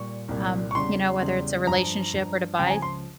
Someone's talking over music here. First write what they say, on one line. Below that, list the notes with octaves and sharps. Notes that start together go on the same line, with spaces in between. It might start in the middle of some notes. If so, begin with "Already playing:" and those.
Um, you know, whether it's a relationship or to buy
Already playing: A#2 G3 C#6
C2 A#2 G3
C#6
E2 C#3 G3 C6
E2 C#3 G3
G2 F3 A#5
G2 F3
C#2 C#3 F3 G5
A#5
G#5
C6